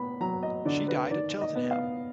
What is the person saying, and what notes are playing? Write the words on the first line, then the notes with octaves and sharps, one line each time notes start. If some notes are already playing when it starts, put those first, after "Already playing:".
She died at Cheltenham.
Already playing: B3 B5
F#3 A#5
D#5
D3 D5
B4
D#3 D5
D#5
B3
F5